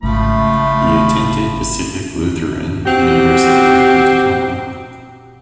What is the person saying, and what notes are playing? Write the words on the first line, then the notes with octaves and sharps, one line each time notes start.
He attended Pacific Lutheran University in Tacoma.
G#1 C#3 F3 A3 B5
C4 F#4 G4